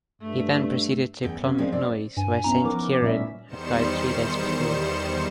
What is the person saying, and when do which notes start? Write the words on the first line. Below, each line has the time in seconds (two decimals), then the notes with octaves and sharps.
He then proceeded to Clonmacnoise, where Saint Cieran had died three days before.
0.22 G2 A3
1.23 E2 G5
1.44 C#3
1.58 F3 G#3 C4 D4
1.72 C4 D5
2.17 G2 G#5
2.44 B3 C#4 E4 A#5
2.64 F3 D#4 A#4 D6
3.02 A#2 G3 C#4 E5
3.48 E2 D#3 G3 C5 C#7 E7